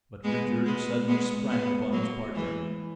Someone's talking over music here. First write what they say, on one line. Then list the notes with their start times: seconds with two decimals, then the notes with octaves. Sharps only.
But Richard suddenly sprang upon his partner.
0.24 G#3 B3
0.66 G#3 B3
1.08 G#3 B3
1.50 G#3 B3
1.92 F#3 A#3
2.35 E3 G#3